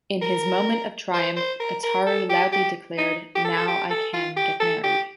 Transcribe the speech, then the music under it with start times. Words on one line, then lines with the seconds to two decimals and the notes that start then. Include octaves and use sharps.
In his moment of triumph, Ataru loudly declared Now I can get married!!
0.22 A#4
1.14 C5
1.36 C5
1.60 A#4
1.83 A#4
2.06 A4
2.29 G4
2.53 G4
2.98 D#4
3.35 G4
3.44 A4
3.57 A4
3.67 G4
3.90 A4
4.13 F4
4.36 G4
4.60 A4
4.83 G4